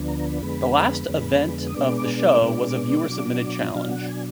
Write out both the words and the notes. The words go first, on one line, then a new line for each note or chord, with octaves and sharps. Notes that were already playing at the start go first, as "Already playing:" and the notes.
The last event of the show was a viewer-submitted challenge.
Already playing: D2 D3 F3 B3 D4
A#5
A#5
B5
F2 D3 G#3 B3
F2 D3 G#3 B3
D#6
B2 G#3 B3 D4 D6
D6
D6
B2 G#3 B3 D4 D6
B2 F#3 D4
D#5
B2 F#3 D4 F5
F#5
G#5